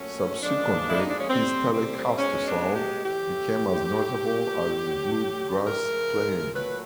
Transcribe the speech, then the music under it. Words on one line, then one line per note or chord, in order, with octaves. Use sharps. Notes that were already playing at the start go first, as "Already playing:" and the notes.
Subsequently, his Telecaster sound became as notable as his bluegrass playing.
Already playing: A#2 F#3 A3 C#4
A#2 F3 G#3 D4
E4
D#4
D4
C#4
D3 G3 C4
C4
B2 G#3 C#4
D4
G4
A2 E3 A3 G4
A2 F#3 A3
D3 F#3 A3
C#3 F3 A3 A#4
A#2 F#3 A3 B4